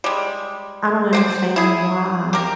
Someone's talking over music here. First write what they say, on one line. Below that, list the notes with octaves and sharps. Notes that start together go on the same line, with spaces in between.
I don't understand why
G3 G#3
G3 A#3 C5
E4 G#4
G4 A#4